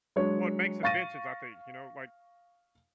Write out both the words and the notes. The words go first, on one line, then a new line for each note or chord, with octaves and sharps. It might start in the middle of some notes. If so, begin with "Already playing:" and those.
what makes inventions, I think, you know? Like
F#3 G#3 D4 C#5
F5 C#6 A6 A#6 D#7